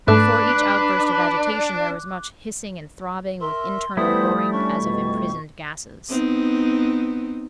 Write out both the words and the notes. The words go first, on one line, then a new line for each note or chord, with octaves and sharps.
Before each outburst of agitation there was much hissing and throbbing, with internal roaring as of imprisoned gases.
G#2 A3 D4 B4 D6 F#6
A#4 E5 C6
E3 G3 A3 B3 E4 C5 D#6
C#4 D4 C#6
F2 B2
B3 C4 D#4